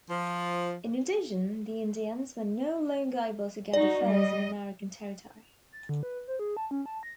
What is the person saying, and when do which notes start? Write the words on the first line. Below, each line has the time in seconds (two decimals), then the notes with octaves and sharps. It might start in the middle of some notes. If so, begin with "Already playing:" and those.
In addition, the Indians were no longer able to gather furs in American territory.
0.09 F3
3.74 D#4 F#4 D5
4.04 G3 D#5
5.72 A6
5.89 D3
6.03 B4
6.28 C5
6.39 G#4
6.57 A5
6.71 C#4
6.86 A5
7.03 A#6